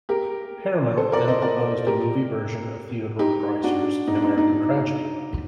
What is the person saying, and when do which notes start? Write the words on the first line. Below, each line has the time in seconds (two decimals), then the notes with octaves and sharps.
Paramount then proposed a movie version of Theodore Dreiser's "An American Tragedy".
0.09 G4 A#4
0.97 A4 C5
1.12 A#4 D5
1.28 C5 D#5
1.42 A#4 D5
1.87 G4 A#4
3.19 D#4 G4
3.64 D4 F#4
4.08 D#4
4.15 D4
4.22 D#4
4.38 D#4